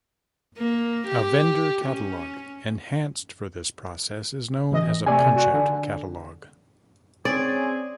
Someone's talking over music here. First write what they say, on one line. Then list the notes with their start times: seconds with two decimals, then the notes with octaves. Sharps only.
A vendor catalog, enhanced for this process, is known as a punchout catalog.
0.58 A#3
1.08 G4
1.85 C#4
4.71 A1 E3 D#5
5.06 C3 A3 D5 G#5
5.36 F#4
5.53 D3
7.25 C4 C#4 G#4 D5